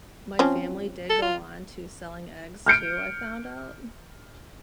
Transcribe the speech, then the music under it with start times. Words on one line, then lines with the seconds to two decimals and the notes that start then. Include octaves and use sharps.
my family did go on to selling eggs too, I found out,
0.39 F3 C4 C#4
1.10 A4
1.22 F4
2.66 F6 G6 C#7 D7